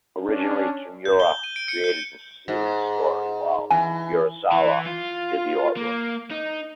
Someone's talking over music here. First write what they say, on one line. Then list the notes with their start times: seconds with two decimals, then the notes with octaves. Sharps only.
Originally, Kimura created the series' story, while Urasawa did the artwork.
0.21 C#4 D4
1.05 G6
1.20 G7
1.44 D#7
1.56 D7
1.68 C#7
1.84 G6
2.48 G#2
3.71 E3 G#5
4.53 E3
4.86 F4
5.77 A#3
6.31 D#4